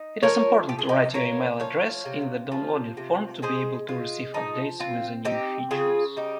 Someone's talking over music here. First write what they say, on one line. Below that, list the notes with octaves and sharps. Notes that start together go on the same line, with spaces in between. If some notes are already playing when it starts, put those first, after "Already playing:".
It is important to write your email address in the downloading form to be able to receives updates with the new features.
Already playing: D#4
F3 A#4 C#5
F3 G4
G#4
D#4 G4
A#3 A#4 C#5
F3 C#5 F5
C3
F3
C3
G#3 G#4 C5
G#3 F4
F3 D#4
C4 F4
C4 D#4 G4
C#3 F4 G#4
G3 D#4 G4